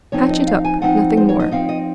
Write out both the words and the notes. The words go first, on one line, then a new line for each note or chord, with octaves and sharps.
Patch it up, nothing more.
F3 C4 D#4 C#5
C#5
D#5
F5
G#5
F3 C4 D#4 F#5
C5
C#5
D#5
F3 C4 D#4 F5
D#5